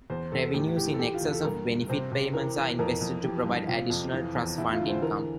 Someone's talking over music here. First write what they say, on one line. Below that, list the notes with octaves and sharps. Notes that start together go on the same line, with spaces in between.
Revenues in excess of benefit payments are invested to provide additional trust fund income.
E2 C5
E2 A4
A2 G4
E3 G4
A4
E3 G4
F4
E2
A4
G2 A#4
G2
C3 C5
C3
E3 A#4
E3
F2 A#4
F2
E3 G4
G2
C3 F4
F2
E3
E2
E2 E4
F4
D3
C5
E3 A#4